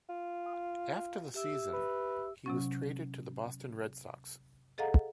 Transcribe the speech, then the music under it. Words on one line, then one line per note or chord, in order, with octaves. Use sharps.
After the season, he was traded to the Boston Red Sox.
F4
G4 E5 E6
B4
C3 F#3 C#4
G#4 A4 D#5 F5 F#5 A#5